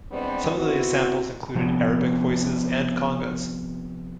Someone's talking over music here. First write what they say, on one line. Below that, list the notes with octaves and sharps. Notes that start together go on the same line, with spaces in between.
Some of the samples included Arabic voices and congas.
E3 G3 G#3 B3 C4 D4
B3 C4 E4 F#4
C3 F3 B3